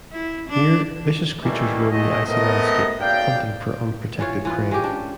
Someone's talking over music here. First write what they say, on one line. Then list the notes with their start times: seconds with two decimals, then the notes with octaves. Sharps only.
Here, vicious creatures roam the icy landscape, hunting for unprotected prey.
0.12 E4
0.49 D4
1.43 D#3 E3 G3 A3 A#3 C#4
1.91 B1 A#2 G#3 A3 D#5
2.26 A3 B3 C4 A#4 D#5
2.99 F#1 B1 D5 F5 G5
4.19 E3 F4 C#5
4.45 E3 F4 B4
4.71 G#3 C#4 G4
4.84 C#4 D4